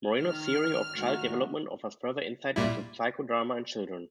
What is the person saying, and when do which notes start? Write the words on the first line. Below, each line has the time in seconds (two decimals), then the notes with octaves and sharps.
Moreno's theory of child development offers further insight into psychodrama and children.
0.20 D#3 F6
0.93 D#3 A3 F#4
2.56 A#2 G3 E4